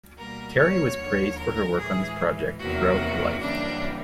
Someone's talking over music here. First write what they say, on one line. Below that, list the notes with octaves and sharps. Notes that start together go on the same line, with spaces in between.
Terry was praised for her work on this project throughout her life.
B2 G3 A#3 A#4
C#5
D#2 D3 F3
A#4
A2 E3 G#3 G#4
E2 C3 D#3 F#3 A#3 F#4
F#2 C#3 E3 G3 A#3 D4